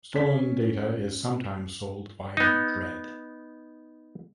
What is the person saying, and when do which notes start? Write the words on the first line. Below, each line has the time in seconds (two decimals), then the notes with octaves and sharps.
Stolen data is sometimes sold via Dread.
0.14 C#4 B6
2.37 B3 D#4